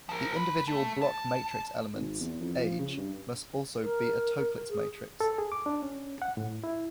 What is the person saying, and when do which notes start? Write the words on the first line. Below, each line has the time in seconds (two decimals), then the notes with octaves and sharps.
The individual block matrix elements, Aij, must also be a Toeplitz matrix.
0.09 F3 A#4
0.33 A#4 B5
0.68 A3
1.02 A5
1.94 G#1
2.21 E2
2.41 F2
2.58 F3
2.79 C#3
2.98 G2
3.82 A#4
4.70 G#4
5.20 A4
5.38 G#4
5.52 D6
5.66 D4
5.83 C#4
6.22 F#5
6.37 A2
6.64 E4